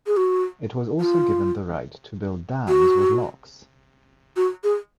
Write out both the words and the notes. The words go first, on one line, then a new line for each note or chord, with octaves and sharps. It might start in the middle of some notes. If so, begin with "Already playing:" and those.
It was also given the right to build dams with locks.
G#4
F#4
F4
F#4
F#4
G#4